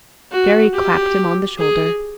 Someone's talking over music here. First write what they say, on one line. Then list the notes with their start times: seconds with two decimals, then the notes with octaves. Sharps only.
Jerry clapped him on the shoulder.
0.31 F#4
0.74 G4
1.58 G#4